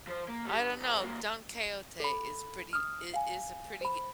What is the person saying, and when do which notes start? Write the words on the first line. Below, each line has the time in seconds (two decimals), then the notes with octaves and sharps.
I don't know. Don Quixote is pretty it is a pretty g
0.07 F3 C5
0.28 A#3
0.45 G3
0.58 G2
0.80 C2
1.01 G2 A#3
2.00 A4 B5
2.73 D#6 F6
3.14 F5 G#5
3.81 C5 B5